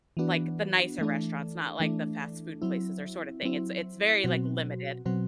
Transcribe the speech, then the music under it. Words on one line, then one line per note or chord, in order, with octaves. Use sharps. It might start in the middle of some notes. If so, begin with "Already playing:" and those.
like the nicer restaurants, not like the fast food places or sort of thing, it's it's very like limited,
E3 B3 D4 F#4
E3 A3 D4
E3 A3 D4
F#3 C4 E4
F#3 C4 E4
B2 F#3 C4 F#4
B2 F#3 C4 F#4